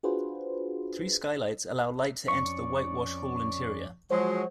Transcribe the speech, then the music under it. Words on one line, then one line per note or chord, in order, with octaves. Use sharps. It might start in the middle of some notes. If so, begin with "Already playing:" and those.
Three skylights allow light to enter the white wash hall interior.
D4 F4 F#4 G#4 B4 C5
F2 C#4 D5 C#6
F3 F#3 G#3 F#4 C5 C#5